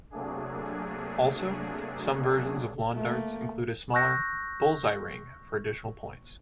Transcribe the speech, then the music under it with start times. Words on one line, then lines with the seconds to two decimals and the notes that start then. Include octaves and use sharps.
Also, some versions of Lawn darts include a smaller "bulls-eye" ring for additional points.
0.11 C3 F#3 A3 A#3 D4 G#4
2.94 A3 A#3
3.94 C#6 E6 F#6 G6 A#6